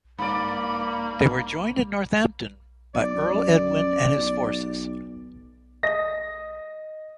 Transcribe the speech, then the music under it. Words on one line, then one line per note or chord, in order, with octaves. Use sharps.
They were joined at Northampton by Earl Edwin and his forces.
G2 A#3 D5 B5
B1 D5
F#2
B1
D#5 A#6